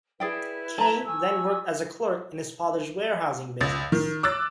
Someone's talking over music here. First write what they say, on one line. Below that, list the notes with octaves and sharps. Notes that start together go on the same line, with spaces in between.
Kain then worked as a clerk in his father's warehousing business.
E4 G#4 B4 D5 G5
A5 A#5
G#5 C#6 E6
C#2 A6
D#3
D6 E6 F#6 A6